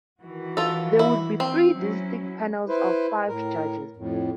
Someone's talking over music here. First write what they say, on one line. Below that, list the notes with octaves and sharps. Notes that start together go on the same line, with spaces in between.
There would be three distinct panels of five judges.
D#3 E3 F#4
F4 A4
E4
C4
F#3 C#4 E4
E4 B4 C5
A2 A#4
F2 A2